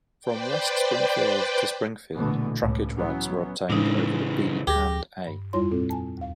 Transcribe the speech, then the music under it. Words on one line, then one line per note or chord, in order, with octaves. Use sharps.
From West Springfield to Springfield, trackage rights were obtained over the B and A.
B4 C5 D5 G5
A#1 B2 D3 E3 A3 B3
C#2 A2
E3 F#3 B3 C#4
A2 C#3 E3 G#3 D4 D#4
D2 G4 G#4 A#6
G2
F2 G3 E4 F4 C#5 C6
A#2 C4 A4
G#5 A5
D#2 F5